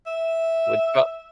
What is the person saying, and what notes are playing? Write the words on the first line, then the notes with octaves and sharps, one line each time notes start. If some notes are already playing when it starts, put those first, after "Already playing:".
wi pro
E5